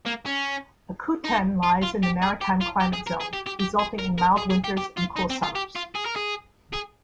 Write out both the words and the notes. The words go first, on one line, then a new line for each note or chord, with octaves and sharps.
Akutan lies in the maritime climate zone, resulting in mild winters and cool summers.
A#3
C#4
D#4
F4
F4
G4
G#4
G4
F4
G4
G#4
A#4
G#4
G4
G4
G4
G#4
A#4
A#4
G#4
G#4
G4
G4
F4
D#4
C4
F4
G4
F4
G#4
A#4
G#4
G#4